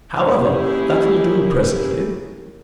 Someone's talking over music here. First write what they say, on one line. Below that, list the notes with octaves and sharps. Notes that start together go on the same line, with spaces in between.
However, that'll do presently.
A#3 C#4 E4 G4 G#4